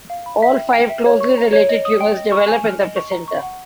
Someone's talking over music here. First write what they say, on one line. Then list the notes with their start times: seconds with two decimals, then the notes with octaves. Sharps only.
All five closely related tumours develop in the placenta.
0.10 F5
0.26 B5
0.42 E5
0.57 G5
0.73 G5
0.89 E5
1.06 C#5
1.21 C#6
1.38 A#5
1.53 C#5
1.69 D#5
1.85 D#6
2.01 G5
2.17 D#5
2.32 C#6
2.48 G#5
2.64 F6
2.79 D#5
2.96 C#6
3.11 A#5
3.28 C#6
3.42 F#5